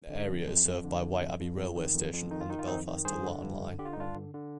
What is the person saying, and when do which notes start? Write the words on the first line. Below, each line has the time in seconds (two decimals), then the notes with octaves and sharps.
The area is served by Whiteabbey railway station on the Belfast to Larne line.
0.10 D3
0.28 F2
0.47 F2
0.65 F2
0.84 D3
1.02 F2
1.20 F2
1.39 F2
1.57 F2
1.76 D#3
1.94 F2
2.13 F2
2.31 D#3 D#4
2.41 F4
2.49 D#3 D#4
2.59 F4
2.67 F2 C4 D#4
2.87 D#3
3.05 G2 G#4 C5
3.23 D3
3.41 G2
3.60 D3
3.78 D3 G4
3.85 F4
3.93 D#4
3.97 G2 D4 F4
4.15 D3
4.34 D3